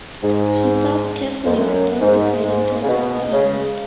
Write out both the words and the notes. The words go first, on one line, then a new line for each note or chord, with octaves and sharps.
She thought carefully before deciding to accept the award.
G#2
F2
F#2
G#2
G#2
C#3
B2
C#3